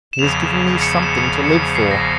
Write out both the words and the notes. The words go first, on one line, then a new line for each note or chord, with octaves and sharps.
He has given me something to live for.
E7
E2 C#3 F3 F7
E7
C#7
E7
F7
C#7
C7
A#6